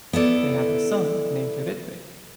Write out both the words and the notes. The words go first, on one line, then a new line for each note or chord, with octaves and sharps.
They have a son named Ritwik.
B3 E4 A4 D5